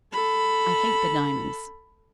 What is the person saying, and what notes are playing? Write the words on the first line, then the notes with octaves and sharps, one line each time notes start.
I hate the diamonds.
A4 B5